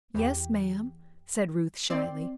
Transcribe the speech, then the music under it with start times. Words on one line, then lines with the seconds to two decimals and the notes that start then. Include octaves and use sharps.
"Yes, Ma'am," said Ruth, shyly.
0.15 E2 G4
1.90 C4 D5 C6